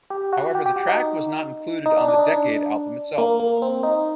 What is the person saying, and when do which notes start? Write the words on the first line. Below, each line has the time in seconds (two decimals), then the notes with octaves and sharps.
However, the track was not included on the "Decade" album itself.
0.10 G4
0.33 F#4
0.55 G4
0.66 G4
0.76 F#4
0.88 D#4
1.86 D#4
1.97 D4
2.08 D4
2.19 D#4
2.30 D4
3.18 A#3
3.40 A#3
3.62 C4
3.83 D#4